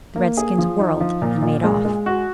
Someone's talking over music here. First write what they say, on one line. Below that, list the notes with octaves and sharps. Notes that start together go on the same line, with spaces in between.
The redskins whirled and made off.
A#3
G#4
F3
D#4
F3
A#2
A#2
G#3
G#3
F#4